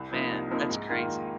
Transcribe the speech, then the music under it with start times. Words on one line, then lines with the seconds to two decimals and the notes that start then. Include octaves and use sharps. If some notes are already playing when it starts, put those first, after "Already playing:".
Man, that's crazy.
Already playing: C2
0.11 C3 F3 A#3 D#4
0.31 C2
0.51 C3 F3 A#3 D#4
0.70 G#2
0.89 D#3 A#3 F4 A#4
1.09 G#2